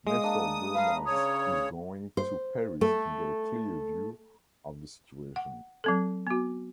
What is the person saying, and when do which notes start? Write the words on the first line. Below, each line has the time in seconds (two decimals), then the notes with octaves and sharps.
Nestor Burma's is going to Paris to get a clear view of the situation.
0.07 G#3 D#5 F5 D#6
0.23 A#3 D4
0.75 B4 F5 A#5
1.06 C#3 C#5 D#6
2.17 C5
2.81 A3
5.36 F#5
5.84 F#3 C4 A4
6.27 B3 F#4